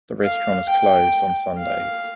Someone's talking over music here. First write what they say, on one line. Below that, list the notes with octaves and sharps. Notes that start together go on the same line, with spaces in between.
The restaurant is closed on Sundays.
F5
G5
F5